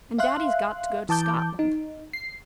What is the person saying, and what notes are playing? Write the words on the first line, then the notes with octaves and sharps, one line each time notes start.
'And daddy's got to go to Scotland.
E5 F5 C6 F#6
E3 A5 D6 G6
D#4
C7